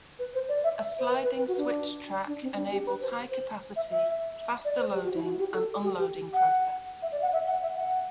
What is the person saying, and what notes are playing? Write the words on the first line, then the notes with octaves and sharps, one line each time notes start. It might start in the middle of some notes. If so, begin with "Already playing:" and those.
A sliding switch track enables high-capacity, faster loading and unloading process.
B4
C5
D5
E5
E5
C5
B4
B4
B4
F#4
D4
D4
C4
D4
G4
B4
C5
C5
E5
E5
D5
C5
G4
F#4
E4
F#4
G4
A4
G4
G4
F#5
E5
D5
F#5
E5
F#5
E5
F#5